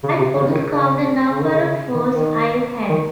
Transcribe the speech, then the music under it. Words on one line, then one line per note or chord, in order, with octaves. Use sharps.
I couldn’t count the number of falls I’ve had.
C#3
C3
C#3
D#3
C#3
C#3
D#3
C#3
D#3
D#3
D#3